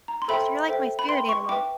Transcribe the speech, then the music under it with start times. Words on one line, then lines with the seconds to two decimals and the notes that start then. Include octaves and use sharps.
You're like my spirit animal.
0.08 A#5
0.22 C6
0.28 A4 C5 E5 G5 B5
0.68 A4 C5 E5 G5
0.99 B5
1.08 B4 E5 G5 C6
1.29 C#6
1.49 B4 E5 G5 D6